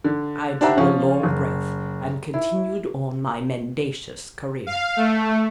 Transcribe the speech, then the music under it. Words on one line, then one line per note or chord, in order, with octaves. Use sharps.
I drew a long breath and continued on my mendacious career.
D3
D4 G4 C5 E5 F#5 A#5
F3 C#4 F4 C#5 F5
F#1
E4
F5
A3